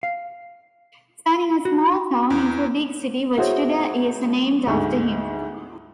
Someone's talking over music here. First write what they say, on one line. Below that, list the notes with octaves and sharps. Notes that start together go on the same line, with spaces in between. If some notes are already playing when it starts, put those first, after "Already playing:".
Turning a small town into a big city which today is named after him.
F5
F#4
E2
E4 F#4 G#4 C5 C#5
D2 G#2